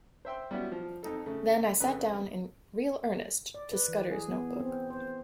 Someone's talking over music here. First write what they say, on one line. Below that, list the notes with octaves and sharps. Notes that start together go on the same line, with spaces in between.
Then I sat down in real earnest to Scudder’s note-book.
C5 E5 G5 C6
G3 B3 C#4 E4 F#4
F3
F2 D#4 A4
C#3 A3
F2 C#3 B4
D5
B4
E3
G#4
B3
C4
C5